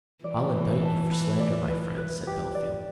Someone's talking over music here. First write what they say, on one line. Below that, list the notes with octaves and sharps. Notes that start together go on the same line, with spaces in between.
"I'll indict you for slander, my friend," said Bellfield.
E3 D5
B4
A5
B4
D5
B4
B4
G4
D5